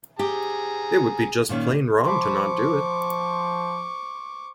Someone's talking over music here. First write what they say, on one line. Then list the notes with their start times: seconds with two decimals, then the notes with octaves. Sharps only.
It would be just plain wrong to not do it.
0.19 G4 G#4 A#5
1.49 A#2 D#3 C#4
2.05 F3 C5 B5 C#6 D6